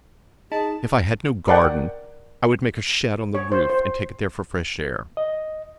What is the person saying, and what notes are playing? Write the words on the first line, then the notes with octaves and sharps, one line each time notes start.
If I had no garden, I would make a shed on the roof, and take it there for fresh air.
D#4 G#4 A5
A#4 D5 F#5 G5
C#5
C5
C5
D#5